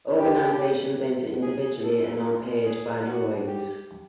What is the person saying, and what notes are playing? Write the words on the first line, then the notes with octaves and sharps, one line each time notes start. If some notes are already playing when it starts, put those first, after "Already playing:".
Organizations enter individually and are paired by drawings.
G4
G#4
A4
A#4
G#4
F#4
G4